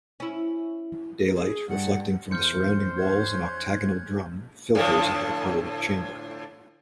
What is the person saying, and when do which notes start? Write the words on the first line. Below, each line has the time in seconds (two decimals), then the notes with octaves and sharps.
Daylight, reflecting from the surrounding walls and octagonal drum, filters into the Parliament Chamber.
0.20 C#4 E4
1.36 G#4
1.69 G2 F#5
2.31 E2 C5 F6 G6 C#7
2.98 C#4 F#6 G#6
4.75 A2 D3 F3